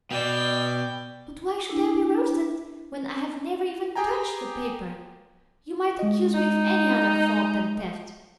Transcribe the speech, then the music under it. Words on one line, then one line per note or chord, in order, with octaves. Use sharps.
"But why should I be roasted when I have never even TOUCHED the paper? You might accuse me of any other fault than theft."
B2 D5 G5
D4 E4
G4 G#4 G5 G#5 A#5
G#3 D#5
D#4